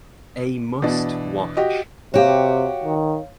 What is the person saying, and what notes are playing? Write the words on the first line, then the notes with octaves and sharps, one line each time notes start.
A must watch.
B2 E3 D4
F#4 G4 D#5
C3 F#4 G4 C#5 F5
D#3